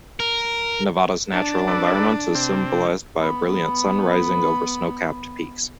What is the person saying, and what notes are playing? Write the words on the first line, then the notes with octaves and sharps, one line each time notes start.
Nevada's natural environment is symbolized by a brilliant sun rising over snow-capped peaks.
A#4
D4 A5
A4 B4 D5
C3 C4
B3 B5